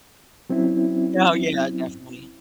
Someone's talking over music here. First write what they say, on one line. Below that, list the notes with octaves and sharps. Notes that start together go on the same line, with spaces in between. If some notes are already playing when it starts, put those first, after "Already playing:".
Oh, yeah. Definitely.
F#3 C4 C#4 E4